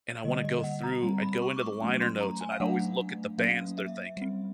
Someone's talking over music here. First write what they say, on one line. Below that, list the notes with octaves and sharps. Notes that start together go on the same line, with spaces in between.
and I wanna go through I'd go into the liner notes, and I'd always look at the bands they're thanking.
D3 G3 A#3 D#5
D#5
F#5
A#5
G3 C4 A#5
B5
C#6
D6
C#6
F#3 A3 C#4
C6
A#5
G#5
F5
F#3 A3 D4 F#5
F#3 A#3 C#4 F5
E5
G3 C4